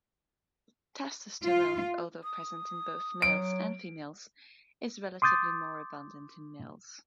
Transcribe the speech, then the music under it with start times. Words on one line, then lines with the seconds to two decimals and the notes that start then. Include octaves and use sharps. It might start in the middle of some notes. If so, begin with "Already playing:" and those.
Testosterone, although present in both males and females, is relatively more abundant in males.
1.44 F4
2.23 D#6
3.22 F#3 D7
5.22 C6 D6 D#6 G6 A6